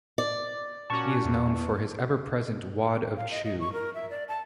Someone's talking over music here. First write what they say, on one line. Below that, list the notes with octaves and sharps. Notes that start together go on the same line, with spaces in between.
He is known for his ever-present wad of chew.
D5
A#2 C#4 F#4 A5 C#6
E2
F5
D#5
D#5
C#6
A#4
E5
D5
A5